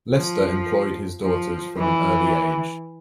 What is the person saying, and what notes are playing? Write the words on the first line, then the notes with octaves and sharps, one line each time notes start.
Lister employed his daughters from an early age.
F3
F3
E3